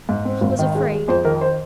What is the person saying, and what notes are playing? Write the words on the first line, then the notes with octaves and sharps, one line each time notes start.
He was afraid!
G#2
C4
G#1
D#3
G#3
G#3
F2 C5
D#3 A#4
C5